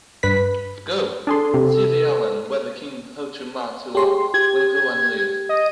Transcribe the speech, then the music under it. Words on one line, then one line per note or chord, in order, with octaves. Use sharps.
Go, see the island where King Hotu Matu'a will go and live!
G2 B4 B6
D4 G#4 A4 C6
C3
G4 G#4 C6
G4 G#6
D#5